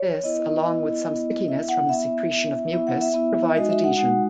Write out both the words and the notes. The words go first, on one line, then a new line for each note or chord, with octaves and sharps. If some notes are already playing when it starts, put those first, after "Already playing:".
This, along with some stickiness from the secretion of mucus, provides adhesion.
Already playing: C#5
B3 E4 D#5
B3 E4
B3 E4
B3 E4 E5
F#5
B3 E4 E5
B3 E4 E5
B3 E4 E5
F#5
E5
B3 E4 E5
G#3 D#4 F#4 D#5
E5
F#5
G#3 D#4 F#4 F#5